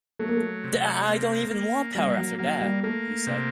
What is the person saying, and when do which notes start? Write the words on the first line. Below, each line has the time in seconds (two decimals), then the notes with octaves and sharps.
"I don't even want power after that," he said.
0.19 F#3 A3
0.28 A#3
0.37 A3
0.64 C3
1.07 A#3
1.51 A#3
1.95 G3 A#3
2.17 F#3
2.39 F#3 A#3
2.61 G3
2.83 A3 A#3
3.27 C3